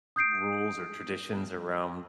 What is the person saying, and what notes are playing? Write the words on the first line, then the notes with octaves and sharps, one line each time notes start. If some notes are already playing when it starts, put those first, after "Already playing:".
rules or traditions around
D#6 G6 C7 D7